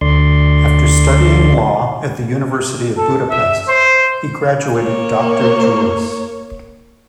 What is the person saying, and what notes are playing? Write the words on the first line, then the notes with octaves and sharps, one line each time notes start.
After studying law at the University of Budapest he graduated "doctor juris".
D2 D3 D5 C6
A4
E5
C5
A#3 C#5